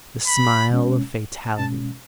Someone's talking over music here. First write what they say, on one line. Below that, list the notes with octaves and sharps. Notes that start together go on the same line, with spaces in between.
The smile of Fatality!
B5
B2 G#3 C#4
B2 G#3 C#4 A5